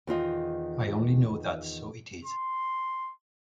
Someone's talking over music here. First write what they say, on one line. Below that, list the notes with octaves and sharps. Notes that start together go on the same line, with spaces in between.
I only know that so it is.
E2 D#3 F4 D#5
C6